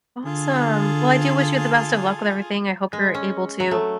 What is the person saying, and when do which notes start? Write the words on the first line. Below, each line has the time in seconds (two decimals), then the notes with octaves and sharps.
Awesome. Well, I do wish you the best of luck with everything. I hope you're able to
0.25 D3 F4 G#4 A4
2.93 G#3
3.14 C#4
3.60 F#3
3.71 A3